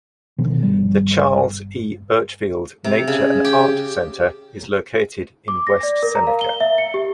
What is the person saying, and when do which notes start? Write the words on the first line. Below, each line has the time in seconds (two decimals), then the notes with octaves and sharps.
The Charles E. Burchfield Nature and Art Center is located in West Seneca.
0.38 B2 D#3 F3
0.63 G1 G3
2.84 C3
3.08 C#3
3.45 G4
5.48 D6
5.67 A#6
5.83 D5
6.03 A#4
6.15 A#5
6.27 F5
6.41 G7
6.60 E5
6.78 C#7
6.94 G4